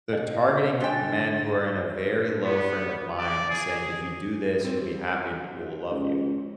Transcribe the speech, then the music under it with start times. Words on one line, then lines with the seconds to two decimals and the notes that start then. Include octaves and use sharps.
They're targeting men who are in a very low frame of mind and saying, "If you do this, you'll be happy and people will love you."
0.13 C3 D#5 F5
0.80 D3 G#3 G5 A6
2.44 B3
3.18 D5
3.50 G#4
4.61 G3 C4
5.91 C#2